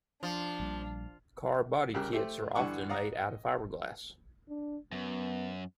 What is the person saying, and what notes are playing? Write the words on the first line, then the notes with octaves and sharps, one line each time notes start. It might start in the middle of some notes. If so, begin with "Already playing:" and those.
Car body kits are often made out of fiberglass.
F3 D4
A#1 A#2 G3
C2 C#3 G4 A#4 F#6
A3 G4 C5
G2 D3 E3 F#5 C#6 D6
D5 F5 F#5 A#5 D#6
D#5
D4
F#2 B3